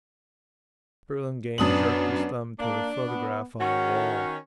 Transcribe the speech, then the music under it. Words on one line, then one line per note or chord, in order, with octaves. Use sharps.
Burlingame jerked his thumb toward a photograph on the wall.
F#2 B3 D4 D#6 F#7
A#3 D4
B3
D#3 C#4 F#4